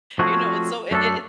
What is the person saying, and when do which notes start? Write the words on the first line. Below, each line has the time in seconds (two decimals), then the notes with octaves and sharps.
You know, it's so it it
0.19 F3 A3 C4 C#4 F#4 G#4
0.91 F#2 A3 D4 A4